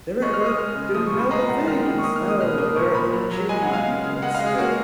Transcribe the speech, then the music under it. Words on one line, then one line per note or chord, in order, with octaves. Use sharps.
"They're at work doing noble things." No, they're at work cheating on you. It's Yeah.
G#3 C#6
F6
G#3
D#6
G#3 F6
C#3
F3 D#6
C#6
A#2
B5
G#3 A#5
A#2 F#5
D#3 F6
G#3
C#6
A#3 D#6
F6
A#3
D#6
B2 F6
A#3 D#6
A#2 C#6
A#2 B5
F#3
F#3
G#3 G#5
F#5
G#3
F5
C#3
C#3
G#3 F#5
F5
G#3
G#4
A#3 F#4